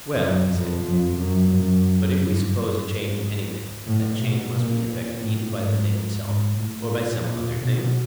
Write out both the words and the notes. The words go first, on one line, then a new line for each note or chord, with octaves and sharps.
Well, I said; but if we suppose a change in anything, that change must be effected either by the thing itself, or by some other thing?
F#2
F2
F2
F#2
F#2
G2
G#2
A2
B2
A#2
A2
G#2
G#2
A2
A#2
A#2
B2